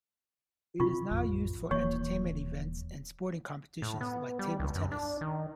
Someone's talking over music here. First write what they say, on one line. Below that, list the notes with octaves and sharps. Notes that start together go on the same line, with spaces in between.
It is now used for entertainment events and sporting competitions, like table tennis.
C3 F4 C#6
A1 F2
D#1 E3 A#3 C#5 C#6
A2
B3
G3
C#2
F#2
D4
D#3